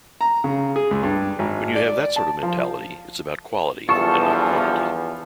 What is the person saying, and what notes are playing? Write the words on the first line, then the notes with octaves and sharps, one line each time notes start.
When you have that sort of mentality, it's about quality and not quantity.
A#5
C#3
G#4
C#2
G2
G#1
D5
A5
F3
E2 G2 E3 F3 F4 A4 C#6